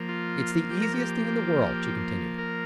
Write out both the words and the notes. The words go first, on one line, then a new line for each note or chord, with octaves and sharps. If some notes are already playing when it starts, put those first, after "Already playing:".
"It's the easiest thing in the world," she continued.
Already playing: F3 A#3
F4
G4
A#4
G4
A#4